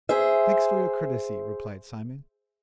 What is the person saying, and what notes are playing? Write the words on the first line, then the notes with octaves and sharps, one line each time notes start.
'Thanks for your courtesy,' replied Simon.
G#4 C5 E5